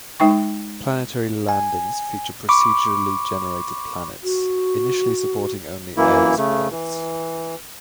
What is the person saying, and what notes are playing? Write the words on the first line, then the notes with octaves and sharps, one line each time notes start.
Planetary landings feature procedurally generated planets, initially supporting only airless worlds.
G#3 D#4 G5 C#6
G#5
B5 C#6 D6
F#4
F#2 E3 A#3 E4
C#3 A3
E3